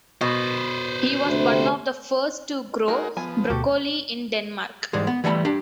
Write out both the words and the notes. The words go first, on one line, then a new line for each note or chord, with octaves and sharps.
He was one of the first to grow broccoli in Denmark.
B2 B4 C5
D2 C3
D#4 F#4 G#4 A#4
F3 B3 G#5
D2 B2 F#4 G4 A4
G#2 E3 G3 G#3
B3
E3 G3 A3 G#5 B5
D4 G4